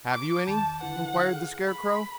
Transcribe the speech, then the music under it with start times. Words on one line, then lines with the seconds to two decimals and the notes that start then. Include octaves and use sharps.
"Have you any?" inquired the Scarecrow.
0.12 D6
0.47 E2 D#3 A5 G6
0.81 D3 E4 B4 F#5
1.29 G#4 A4
1.67 B5